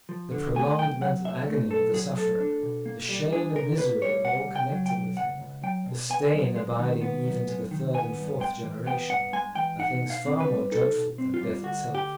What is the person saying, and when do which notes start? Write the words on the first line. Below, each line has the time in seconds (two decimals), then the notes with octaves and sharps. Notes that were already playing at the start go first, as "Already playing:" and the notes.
The prolonged mental agony of the sufferer, the shame and misery of all connected with him, the stain abiding even to the third and fourth generation, are things far more dreadful than death itself.
0.09 F3
0.32 D3
0.55 A3 G#5
0.79 B1 G5
1.01 F#3 F#5
1.25 A2 E5
1.47 A3
1.71 B1 A4
1.93 F#3 G#4
2.17 A2 A4
2.40 D4
2.63 B2
2.86 A#3
3.09 G3
3.32 D4 G#4
3.55 B2 A#4
3.78 A#3 B4
4.02 G3 C#5
4.25 C#2 F#5
4.48 C#2
4.56 G5
4.72 F#3
4.86 G5
4.94 B2
5.17 C#2 F#5
5.40 C#2
5.63 F#3 G5
5.86 B2
6.10 B3 G#5
6.33 F#2
6.56 G#3
6.79 D#3
7.01 B3
7.26 F#2
7.48 G#3
7.71 D#3
7.94 B3 G#5
8.18 G2
8.40 G#3 G5
8.63 E3
8.86 B3 G5
9.09 G2 F#5
9.33 G#3 G#5
9.55 E3 G5
9.79 D#4 F#5
10.02 B2
10.10 F5
10.25 C4
10.40 B4
10.48 G3
10.72 D#4 A4
10.95 B2
11.18 C4
11.34 F4
11.41 G3
11.63 D2 F#4
11.87 D2
11.95 G4